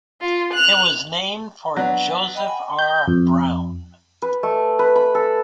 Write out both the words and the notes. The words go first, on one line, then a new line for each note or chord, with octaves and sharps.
It was named for Joseph R. Brown.
F4
F#6 F7
F#3 B3 D4
D#5 G5 B5
D#5 F#5 G#5
G6
F2
B4
A3
B4
B5
A4